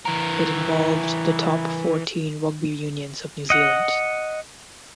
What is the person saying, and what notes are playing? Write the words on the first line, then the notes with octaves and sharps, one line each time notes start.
It involved the top fourteen rugby unions of New Zealand.
E3 A#4
D#5 F#5